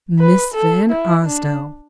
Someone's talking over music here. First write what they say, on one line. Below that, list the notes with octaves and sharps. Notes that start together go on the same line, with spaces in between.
"Miss Van Arsdale!"
B4
A4
E4
D4